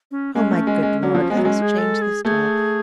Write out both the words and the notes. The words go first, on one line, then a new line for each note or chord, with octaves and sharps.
Oh, my good Lord! let us change this talk....'
C#4
G#3 C#4
A3
G#3
G#3
F#3
F3
C#4
G#3 B3
F#3
G#3 C#4
G#4
A4
G#4
A3 G#4